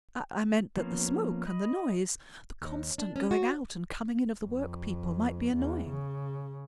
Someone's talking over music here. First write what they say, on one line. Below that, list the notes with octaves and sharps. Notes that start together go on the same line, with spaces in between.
'I meant that the smoke and the noise--the constant going out and coming in of the work-people, might be annoying!'
F3 A#3 B3 C#4
D#5 B5
D#2
D4
C#4
F#4
F2
E2
C#3